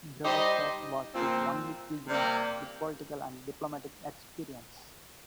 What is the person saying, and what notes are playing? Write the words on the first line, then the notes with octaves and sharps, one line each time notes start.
Brewster was the only Pilgrim with political and diplomatic experience.
G3 D#4 G4 C5 D#5
A#2 F3 C4
C3 G3 A#3